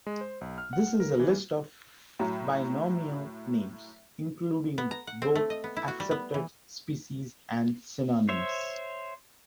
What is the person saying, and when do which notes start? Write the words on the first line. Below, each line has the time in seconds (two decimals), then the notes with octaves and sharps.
This is a list of binomial names, including both accepted species and synonyms.
0.07 G#3
0.21 C5
0.41 B1
0.58 F6
0.73 F#5
1.00 A#4
1.20 E3
2.19 A2 F#3
4.78 B3
4.91 A#5
5.07 F#5
5.22 C4
5.35 A3
5.50 D#5
5.64 B3
5.77 E4
5.88 F#4
6.00 G3
6.11 B3
6.34 E3
8.29 C5 C#5 E5